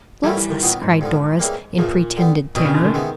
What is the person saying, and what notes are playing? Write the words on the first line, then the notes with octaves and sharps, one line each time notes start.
"Bless us!" cried Doris, in pretended terror.
D#3 F#3 G3 A3 C#4 E4
E3
D#3
A#2 D#3 F#3 B3
G#2
G2 D3 F3
C#3 E3 G3 A#3
E2 A#2 C#3 F3
D3 G3 B3
B2 D#3 G3 C4 D#4
C#3
D3
D#3
C3 E3 G#3 B3